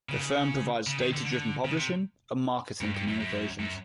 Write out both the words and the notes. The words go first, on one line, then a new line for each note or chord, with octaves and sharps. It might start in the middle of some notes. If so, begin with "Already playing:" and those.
The firm provides data-driven publishing and marketing communications.
C#3
C#3
D#3
D3
D3
C#3
C3
G2
G2
F#2
F#2
F#2